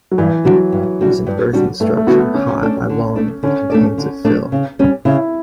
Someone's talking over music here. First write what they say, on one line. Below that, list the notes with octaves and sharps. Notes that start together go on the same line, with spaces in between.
It is an earthen structure, high by long and contains of fill.
F#3
G2 E3
D3 F#3 G3 D4 F#4
G2
D3 G3 D4 F#4
G2
D3 G3 D4 F#4
G2 A3
A3
D3 G3 B3 D4 F#4
D3 C#4
A3 D4 A4 D5
D3
A3 D4 A4 D5
D3 C#4
A3 D4 A4 D5
D3
A3 D4 A4 D5
C#3
G3 C#4
C#3 E4